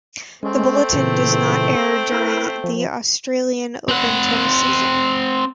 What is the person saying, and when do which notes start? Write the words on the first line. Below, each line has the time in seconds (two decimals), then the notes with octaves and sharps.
The bulletin does not air during the Australian Open tennis season.
0.43 G#3 A3 C4 C#4
0.93 A#2 C#3 E3
2.12 E4 A#4 B4
2.64 F3
3.89 C4 F#5